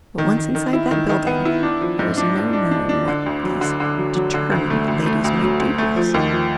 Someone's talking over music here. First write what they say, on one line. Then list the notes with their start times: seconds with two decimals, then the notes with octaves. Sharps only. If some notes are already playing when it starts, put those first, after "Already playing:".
But once inside that building, there was no knowing what these determined ladies might do to us.
0.18 D#3
0.37 D#3
0.55 D#3
0.73 E4
0.91 D#3
1.09 D#3
1.27 B3
1.45 E4
1.63 D4
1.81 F3
1.99 G#2
2.17 D4
2.35 D4
2.53 D4
2.71 D4
2.89 D4
3.08 D3
3.26 D2
3.44 F#3
3.61 D3
3.80 D3
3.98 F#3
4.15 F#3
4.34 D3
4.52 D2
4.70 A3
4.88 D2
5.06 A3
5.24 D2
5.42 F#3
5.60 D2
5.78 A3
5.96 F3
6.14 D#2
6.32 F3